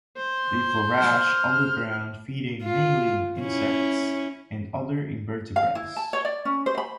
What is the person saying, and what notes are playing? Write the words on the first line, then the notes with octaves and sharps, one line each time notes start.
They forage on the ground feeding mainly on insects and other invertebrates.
C5
F6
F4
C#4 E4
F5
E4
A5
C#5
D5
C#4
C5
B5